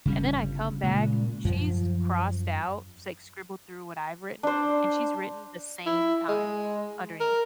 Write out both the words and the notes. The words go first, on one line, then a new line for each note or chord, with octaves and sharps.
And then I come back. She's crossed out. She's, like, scribbled through what I've written, and she's written the same time underneath.
G1 C#3 G3 C#4
A#2 C#3 G#3
F#2 F3
D4 C5
E4
G#3
A#4